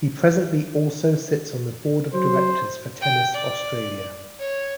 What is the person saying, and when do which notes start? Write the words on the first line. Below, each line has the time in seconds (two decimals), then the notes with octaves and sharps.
He presently also sits on the Board of Directors for Tennis Australia.
2.14 F#3 C5
3.01 G5
3.34 D5
4.39 C#5